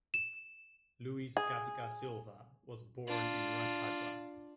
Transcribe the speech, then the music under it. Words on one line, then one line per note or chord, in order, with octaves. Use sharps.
Luis Gatica Silva was born in Rancagua.
E7
G#4
D4 F4